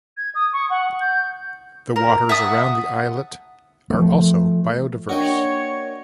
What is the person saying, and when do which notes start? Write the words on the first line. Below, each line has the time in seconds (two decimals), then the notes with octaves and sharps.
The waters around the islet are also biodiverse.
0.17 G#6
0.35 D#6
0.53 C#6
0.70 F#5
1.01 G6
1.96 A#4
2.29 E5 F#5 A5 D#6
3.90 F3 A3
5.09 A#3 D4 F#4 C#5 D#5 G5